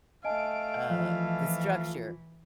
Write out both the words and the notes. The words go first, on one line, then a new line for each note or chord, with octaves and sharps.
uh, the structure
A3 D#5 F5 G#5 A5 D7
E3 F3